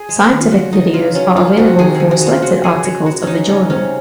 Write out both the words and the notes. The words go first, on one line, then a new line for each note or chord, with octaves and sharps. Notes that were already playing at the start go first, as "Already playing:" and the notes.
Scientific videos are available for selected articles of the journal.
Already playing: G#4
G#3
D#3
F4
C#3 F#4
C#3 D#4
C#3 F4
F#3 C#4
A#3 F4
C3 F#4
D#3 G#4
G#4
D#3
F#4
G#3
F4
C#3 F#4
C#3 G#4
G#3 F#4
G#3 F#4
G#3 C#4 D#4
C#3 C#4
C3 C#4